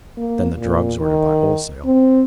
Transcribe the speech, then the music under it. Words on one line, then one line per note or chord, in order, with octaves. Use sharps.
Then the drugs ordered by wholesale.
A#3
A#2
D#3
C4